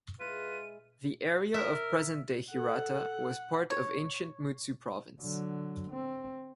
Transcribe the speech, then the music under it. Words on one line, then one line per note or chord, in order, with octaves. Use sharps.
The area of present-day Hirata was part of ancient Mutsu Province.
G#3 E4 F4 B4 D#7
A#4 E5
A4 F#5
C#5
D3 F#3
C4